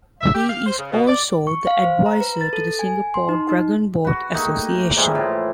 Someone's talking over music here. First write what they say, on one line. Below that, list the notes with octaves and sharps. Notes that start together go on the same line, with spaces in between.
He is also the advisor to the Singapore Dragon Boat Association.
E5
G4
F5
C5
C#3
B2
D5
C#6
F5
C5
A#5
B4
A6
A4
G#5
C6
D#4
D#4
F#4 B4
A3 A#3 D#4 G4
E3 F3 G3 G#3
A2